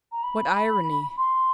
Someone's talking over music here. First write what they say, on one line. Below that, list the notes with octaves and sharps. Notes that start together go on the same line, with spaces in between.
What irony!
A#5
B5
C6